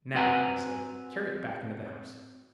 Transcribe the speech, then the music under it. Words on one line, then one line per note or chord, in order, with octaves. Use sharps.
"Now," I said, "carry it back into the house."
C4 F#4 B4 F#5 G#5 A#5